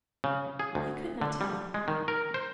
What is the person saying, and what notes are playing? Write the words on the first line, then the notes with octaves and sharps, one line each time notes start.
He could not tell.
C#3
G#4
D2
D3
G3
G#3
D#3
A#4
C5